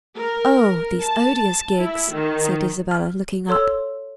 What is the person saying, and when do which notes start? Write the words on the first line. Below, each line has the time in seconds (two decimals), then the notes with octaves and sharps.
"Oh, these odious gigs!" said Isabella, looking up.
0.16 A#4
1.02 A5
1.78 E4
2.12 D#3
2.91 F6
3.49 A4 C#5 C6 E6